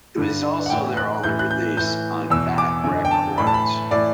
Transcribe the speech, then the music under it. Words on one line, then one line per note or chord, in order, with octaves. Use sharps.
It was also their only release on Fat Wreck Chords.
G2 D3
F#5
A2 E3 G5
F#6
A2 E3 G6
F#6
G6
A2 E3 G6
E2 B2 E6
D6
F#2 D3
G5
A5
A2 E3 B5
A5
B5
A2 E3 D5